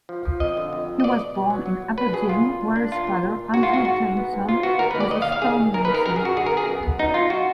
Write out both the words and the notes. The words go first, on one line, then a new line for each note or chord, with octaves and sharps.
He was born in Aberdeen, where his father, Andrew Jamesone, was a stonemason.
F3
F3
F2 D#5
D3
F2
F3
D#5
B2 D5
B2
B2
F#3
F#3
F#3
D4 B4
F#3 G#4
A#2 F4
A#2
D4
D4
A#2 F4
A#2
A#2
A#2
G#2 F#4
F4
G#2 F#4
G#2 F#4
G#2
B3
G#2
F3 F4
B3 F#4
D#2 A#4
B4
D#2
D5
D#2 D#5
F5
D#2
F5
D#3 G#4
D#2
D#3 A#4
B4
D#3
A#4
F#2 A#4
G#4
F#2
F#4
D3 G#4
A#4
B3
G#4
F#2
B3
F#2 D#4
F#2 F4
F#4